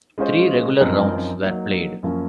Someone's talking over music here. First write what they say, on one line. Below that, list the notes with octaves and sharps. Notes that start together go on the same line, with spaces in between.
Three regular rounds were played.
G#3 C#4 F4 C5 D#5
F#2 F3 C4 D#4 A#4
F#3 A#3 D#4
F#2 F3 A#3 C#4